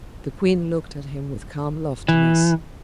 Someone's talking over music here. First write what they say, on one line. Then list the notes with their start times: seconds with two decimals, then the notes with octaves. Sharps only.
The queen looked at him with calm loftiness.
2.08 E3